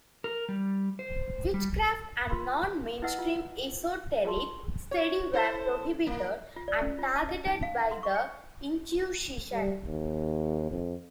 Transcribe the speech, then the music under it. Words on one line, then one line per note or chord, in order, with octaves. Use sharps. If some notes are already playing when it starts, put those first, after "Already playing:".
Witchcraft and non-mainstream esoteric study were prohibited and targeted by the Inquisition.
A#4
G3
C5
G3
F4 A#4 B5 C6
E4 B4 D#5 E5 F#5 E6
F4
F4 G#4 A#4 A5 C6 C#6
C#5
E4 A4 C5
A#3
F4
D5
C#4
F4
A5
D#5
D#4
F5
F#5
C6
C#6
G5
G3
D#2
F2